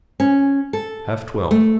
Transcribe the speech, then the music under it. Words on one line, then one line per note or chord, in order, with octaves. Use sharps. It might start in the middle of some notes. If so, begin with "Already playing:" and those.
Half twelve.
C#4
A4
A3